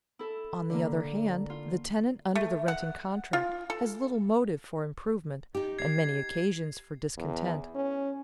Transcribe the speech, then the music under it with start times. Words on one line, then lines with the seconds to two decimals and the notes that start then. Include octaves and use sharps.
On the other hand, the tenant under the renting contract has little motive for improvement, and many occasions for discontent.
0.19 E4 A4
0.70 D3 A#3
1.50 F4
2.35 A3
2.68 F#5
3.33 F4
3.70 A4
5.55 D#4 G4
5.79 G#6 C7
7.17 E2
7.75 C#4